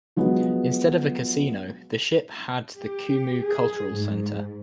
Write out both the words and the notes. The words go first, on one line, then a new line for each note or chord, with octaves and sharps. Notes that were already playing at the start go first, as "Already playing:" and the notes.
Instead of a casino, the ship had the Kumu Cultural Center.
F3 F#3 G#3 B3
G4
G#4
G#2